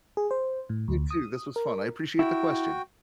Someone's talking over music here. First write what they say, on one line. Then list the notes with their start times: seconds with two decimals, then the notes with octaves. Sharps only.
You too, this was fun. I appreciate the question.
0.17 G#4
0.31 C5
0.69 A2
0.88 D2
1.11 D#6
1.56 A#4
2.19 E4 F#4 G5